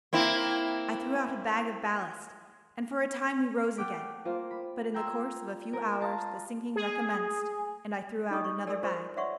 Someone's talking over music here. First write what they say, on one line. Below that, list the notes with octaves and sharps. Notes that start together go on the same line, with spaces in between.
I threw out a bag of ballast, and for a time we rose again, but in the course of a few hours the sinking recommenced, and I threw out another bag.
A#3 C4 E4
A3 F#5 G5 D6 B6
A#3 F4 C5
B5
G5 A#5 C6 E6 G#6
A#4
F5 A5 A#5 C6
G#4
D#4 A4 D#5 C#6 D#6
C#6
G4 A4 A#4 D5 G#5 E6
F4 C5 C6 C#6 E6
C#5 D5 E5 F#5 C6 C#6